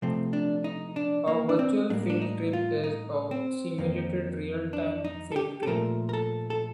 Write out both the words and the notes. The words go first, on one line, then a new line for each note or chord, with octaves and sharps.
A Virtual field trip is a simulated, real-time field trip.
C3 F3 A3 C4
D4
D#4
D4
A#3
D4
C4
A2 G3 A#3 D4
D4
D#4
F4
D#4
C4
F2 D#3 A#3
D4
D#4
A4
G4
A4
A#2 F3 A3 A#4
A#4
A4
A4